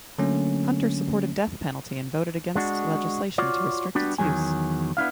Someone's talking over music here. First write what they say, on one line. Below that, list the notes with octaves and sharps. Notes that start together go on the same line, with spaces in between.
Hunter supported death penalty and voted against legislation to restrict its use.
D3 F#3 A3 A#3 C#4
G#3 D4 F#4
F4 F#4 C#5 D5
G3 B3 D4 F#4
E2 D#3 F3 F#3 G#5
B3 D4 E4 F5